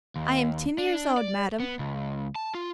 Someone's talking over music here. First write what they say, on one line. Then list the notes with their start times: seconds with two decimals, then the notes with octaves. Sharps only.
"I am ten years old, madame."
0.16 D#2
0.78 D4
1.17 D5
1.60 B3
1.79 C#2
2.35 A5
2.55 F4